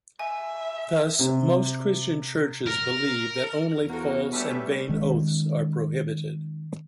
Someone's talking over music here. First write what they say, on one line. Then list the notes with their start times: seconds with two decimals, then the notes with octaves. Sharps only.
Thus most Christian churches believe that only false and vain oaths are prohibited.
0.19 E5 G#5
1.19 C3
2.67 A#4
3.77 E2
3.88 B2 F3 A#3 F#4 A4 A#4
4.32 G3 A3 C#4 D4 G4 B4 E5
4.89 D#3 G#3 C#4